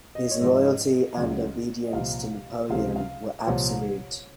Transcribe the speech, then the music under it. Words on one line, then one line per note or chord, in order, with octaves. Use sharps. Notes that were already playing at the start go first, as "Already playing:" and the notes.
His loyalty and obedience to Napoleon were absolute.
D#5
C#5
G#2 F3 D#5
C#2 C#3 F#3
D#5
C2 A#2 F3 F5
C#2 C3 F3 F5
F5
C2 A#2 F3 C#5